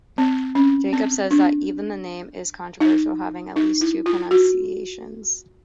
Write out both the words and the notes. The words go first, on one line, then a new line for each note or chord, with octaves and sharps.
Jacobs says that "even the name" is controversial, having at least two pronunciations.
C4
C#4
C4
D4
D#4
D#4
E4
F4
F#4